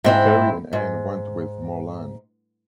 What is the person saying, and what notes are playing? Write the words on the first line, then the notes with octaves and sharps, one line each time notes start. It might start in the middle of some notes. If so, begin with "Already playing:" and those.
Terry and Anne went with Morlan.
G#2 C4 E4
G#2